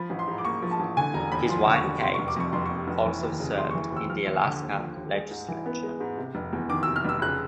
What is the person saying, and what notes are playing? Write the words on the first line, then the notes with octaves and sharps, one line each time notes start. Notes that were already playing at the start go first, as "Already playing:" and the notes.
His wife Kate also served in the Alaska Legislature.
Already playing: F3 B5
A1
C6
G#2
D6
A#3 C#6
F3
A5
A1
D3 G#5
E1 A#5
D#2 B5
F3 C6
D3
C#6
E1
C3 C6
F1 C#6
D6
F2 C#6
F1 C6
C3 C#6
F1
E3
D#2
C#3
D#2 C6
E3 C#6
D#2 E6
F3 F6
D#2
D3
D#2
F3
D#2
G#3
G#2
E3
B3
G#3
G#2
C3
F1
E2
D#3 D6
C3 E6
F6
F1 E6
C#3 F#6